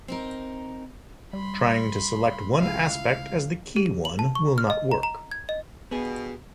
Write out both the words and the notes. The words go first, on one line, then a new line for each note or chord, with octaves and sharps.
Trying to select one aspect as the key one will not work.
C4 D#4 A#4
G3 B5 C6
C#2 E4 F5
G4
F#7
A5
C#6
F6
D#5
A#5
A#5
G#6
D#5
G2 B2 B3 G#4